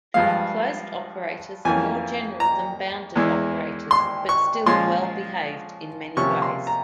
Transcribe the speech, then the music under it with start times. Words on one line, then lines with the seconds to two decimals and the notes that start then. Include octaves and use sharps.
Closed operators are more general than bounded operators but still "well-behaved" in many ways.
0.14 G2 F3 G#3 F5
1.65 F2 E3 A#3 C#4 G#5
2.40 A#5
3.16 E2 E3 G#3
3.91 C6
4.29 C#6
4.66 A#2 F3 G#3 C#4 C6
6.17 C3 F3 A#3 C#4 C#6
6.42 C6
6.67 A#5